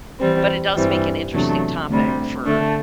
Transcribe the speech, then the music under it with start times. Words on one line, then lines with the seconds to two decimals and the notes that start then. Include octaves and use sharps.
but it does make an interesting topic for
0.20 E3 G3 C4
0.76 G2 E3 G3 C4
1.32 E2 C3 F#3 A3 D4
1.89 D2 C3 G3
2.45 D3 A3 D4